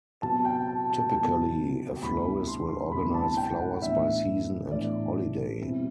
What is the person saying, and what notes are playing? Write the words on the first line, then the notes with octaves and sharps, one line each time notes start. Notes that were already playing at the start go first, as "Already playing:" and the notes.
Typically, a florist will organize flowers by season and holiday.
C3 F#3 B3 A5
G5
A5
A5
C3 F#3 B3 A5
D2 C3 G3 B3 E4 B5
C6
C6
D2 C3 G3 B3 E4 B5
A5
G5
F#5
A2 E3 B3 D4 E5
A2 E3 B3 D4 D5
B2 G3 C4 E4